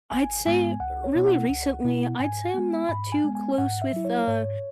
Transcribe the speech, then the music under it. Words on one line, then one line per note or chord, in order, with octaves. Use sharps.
I'd say Really recently, I'd say I'm not too close with, uh,
G#1 G#5
G#2 G#3 B3 G#5
C#2 F#5
C#5
B2 B3 E4
F#5
C#2
B2 B3 E4
G#2 G#5
G#3 B3
G#2 B5
G#5
G#3 B3
G#5
G#2 F#5
E5
F#3 E4
C#5
G#2 C#5